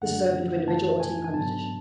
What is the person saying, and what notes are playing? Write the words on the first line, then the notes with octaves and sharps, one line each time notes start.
This is open to individual or team competition.
F#2 D3 A3 D4 F#5
F#2 E3 A3 A5
G#5
G#5
G#2 F#3 B3 D4 A5